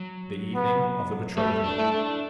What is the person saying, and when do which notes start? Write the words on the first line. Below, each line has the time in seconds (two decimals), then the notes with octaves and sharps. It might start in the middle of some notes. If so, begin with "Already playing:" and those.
The Evening of the Betrothal.
Already playing: F#3
0.55 B3
1.37 G3 A3
1.64 D4
1.78 A3 E4
1.92 D4